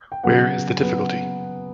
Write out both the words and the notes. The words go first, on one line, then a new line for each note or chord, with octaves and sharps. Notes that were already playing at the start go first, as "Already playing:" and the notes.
Where is the difficulty?
G5
C#3 F#3 B3 F#5
C#3 F#3 B3